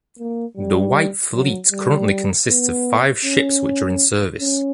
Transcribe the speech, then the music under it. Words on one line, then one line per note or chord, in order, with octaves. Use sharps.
The White Fleet currently consists of five ships which are in service.
A#3
G3
F#3
G3
B3
C#4
C#4